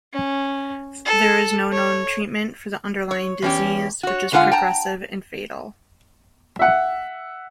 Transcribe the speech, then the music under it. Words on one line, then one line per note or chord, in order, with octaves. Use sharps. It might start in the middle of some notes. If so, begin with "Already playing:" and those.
There is no known treatment for the underlying disease, which is progressive and fatal.
C#4
A4
C#5
C#5
E2 C#4 G4
F#4 C#5
D3 G#3 A3 F4 F#5 G#5
G5 A5 A#5
E5 F#5